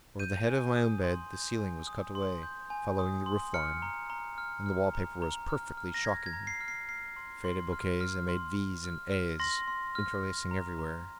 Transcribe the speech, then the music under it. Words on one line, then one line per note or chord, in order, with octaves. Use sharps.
Over the head of my own bed the ceiling was cut away, following the roof-line; and the wallpaper was perfectly shocking--faded bouquets that made V's and A's, interlacing everywhere.
G6 D#7
G#5
D#6
C6
G6
G#5
D#6
C6
G6
G#5
D#6
C6
F6 C#7
A#5
A#5
F6
F6
A#5
A#5
F6
F6
A#6
A#5 G#6
G#6
A#5
C7
F6
C7
F6 C7
C6
C6
F6
F6
C6
C6
F6
F6
C6 A#6
C6
F6
F6
A#5
A#5